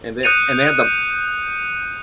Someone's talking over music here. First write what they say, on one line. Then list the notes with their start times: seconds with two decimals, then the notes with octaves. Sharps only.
and they and they had the
0.23 D#6 F#6 G6 C#7 D#7 F7